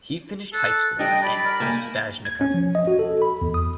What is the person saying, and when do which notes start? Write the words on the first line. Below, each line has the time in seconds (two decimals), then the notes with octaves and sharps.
He finished high school in Kostajnica.
0.53 A4 F#6
0.99 G3 D4 D#5 G5
1.22 D5 B5
1.45 A#4
1.60 A#3 G#5 A5
2.25 G#6
2.41 C#4
2.54 F3
2.75 D#5
2.87 F#4
2.99 A4
3.22 B5
3.42 E2
3.54 D#6